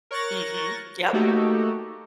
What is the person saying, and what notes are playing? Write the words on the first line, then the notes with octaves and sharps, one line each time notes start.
Mhm, yep.
A#4 C#5 C#6 F#6 A6 A#6
A3 A#3 D#4 F#4 G4 A4